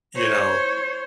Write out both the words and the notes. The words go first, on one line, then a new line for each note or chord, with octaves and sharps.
You know,
C5 C#5